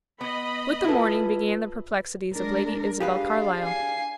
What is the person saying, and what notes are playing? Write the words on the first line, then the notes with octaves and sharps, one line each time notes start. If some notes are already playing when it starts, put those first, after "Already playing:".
With the morning began the perplexities of Lady Isabel Carlyle.
B3 D#5 B5
E4 F4 G#4 A4 B4
G#3 D4 A#4
D4 G4 G#4 B4 F5
G#5 C7